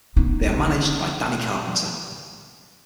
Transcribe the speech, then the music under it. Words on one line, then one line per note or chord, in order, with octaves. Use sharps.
They are managed by Danny Carpenter.
B3 D#4